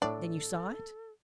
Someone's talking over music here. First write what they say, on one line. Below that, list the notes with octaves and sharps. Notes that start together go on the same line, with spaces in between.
"Then you saw it?"
A2 D4 A4 D5